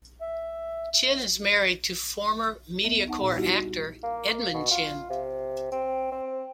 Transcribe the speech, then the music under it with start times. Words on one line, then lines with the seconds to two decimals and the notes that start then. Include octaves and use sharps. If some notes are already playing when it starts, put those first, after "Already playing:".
Chen is married to former MediaCorp actor Edmund Chen.
0.21 E5
2.84 D2 B3 E5
3.08 D#4 F#5 A5
3.21 A#2
3.35 G3 D#4 E4 F#4 G4
4.03 A#3
4.53 B2
4.71 F4
5.10 C3
5.72 C4
6.12 C4